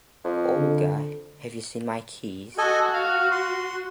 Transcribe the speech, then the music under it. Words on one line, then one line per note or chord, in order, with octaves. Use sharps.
Olga, have you seen my keys?
F2
D3
F#4 A4 D#5 G#5
F5 F6
C6